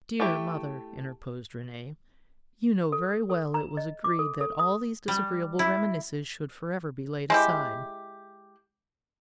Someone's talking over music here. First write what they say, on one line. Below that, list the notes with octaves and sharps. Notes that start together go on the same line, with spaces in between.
"Dear mother," interposed Renee, "you know very well it was agreed that all these disagreeable reminiscences should forever be laid aside."
A3 E4 G4 E5
A4
A4
A#5
D#5
D6
A4
A4
D#6
G3
E4
G#3 E4 G4